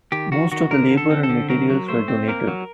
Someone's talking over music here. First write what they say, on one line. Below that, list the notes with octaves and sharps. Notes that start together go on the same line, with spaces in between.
Most of the labour and materials were donated.
D#3 G4
D#3 F#4
D#3 F#4
D3 A#4
D3
A4
C4
A4
D3
F#3 A#4
F#3
A3 C5
C4
A#3 A#4
F#3